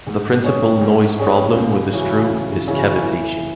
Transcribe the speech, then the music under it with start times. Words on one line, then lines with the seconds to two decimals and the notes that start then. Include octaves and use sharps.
The principal noise problem with a screw is cavitation.
0.07 G#2
0.44 G#3 C#4 G#4 C#5
0.81 G#2
1.19 G#3 C#4 G#4 C#5
1.55 C#2
1.93 C#3 E3 C#4 F#4
2.30 C#2
2.68 C#3 E3 C#4 F#4
3.04 E3